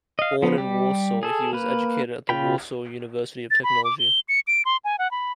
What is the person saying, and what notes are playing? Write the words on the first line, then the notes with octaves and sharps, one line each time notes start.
Born in Warsaw, he was educated at the Warsaw University of Technology.
D#5 F5
F3 B3
G3 G4
G#4 A4
A#3 B4
C#3 F4 G5 B5
A6
B5
D6
G7
C#7
D7
C6
G#5
F#5
B5